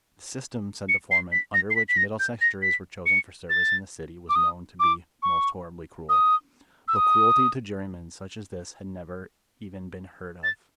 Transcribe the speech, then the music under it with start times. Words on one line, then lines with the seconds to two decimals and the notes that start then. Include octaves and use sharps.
The system, said the foreman, under which Middlesex juries were chosen for service in the City was known to be most horribly cruel;--but cruelty to jurymen such as this had never even been heard of.
0.89 C#7
1.11 C7
1.32 B6
1.54 A#6
1.71 C7
1.76 B6
1.89 B6
1.97 A#6
2.20 G6
2.41 A#6
2.62 B6
3.06 C#7
3.50 A6
4.29 D6
4.35 D#6
4.80 D6
5.23 C#6
6.09 D#6
6.88 E6
6.96 D#6
10.43 A6